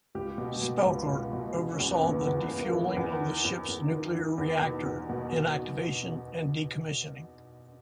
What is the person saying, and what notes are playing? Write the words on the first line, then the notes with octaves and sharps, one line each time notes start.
Spelker oversaw the defueling of the ship's nuclear reactor, inactivation, and decommissioning.
C#2 G4
B2
B2
C#2
C#2
B2
C#3
C#4
E2
B3
E2
B3
E2 B3
B3
E2
A#3
E3
B3
E2
D#3
E2
E2
D#3
D#3
E2 B3
B2
E2
B2
B2